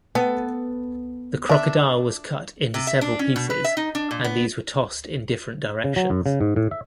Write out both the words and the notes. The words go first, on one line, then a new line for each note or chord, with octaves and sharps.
The crocodile was cut into several pieces and these were tossed in different directions.
B3 A4
D4 E5
C3
E5
D4
C#4
B2
B4
E5
D#4
D4
A#2
B3
C#3
F#3
F#2
C#3
G#2
A2
E5